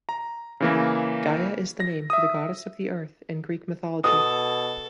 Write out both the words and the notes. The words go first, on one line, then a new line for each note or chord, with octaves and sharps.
Gaia is the name for the goddess of the Earth in Greek mythology.
A#5
C#3 E3 A#3
A#6
E5 D#6
B2 A4 D#6